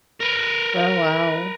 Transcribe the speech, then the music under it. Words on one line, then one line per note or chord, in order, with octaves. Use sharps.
Oh, wow.
A#4 B4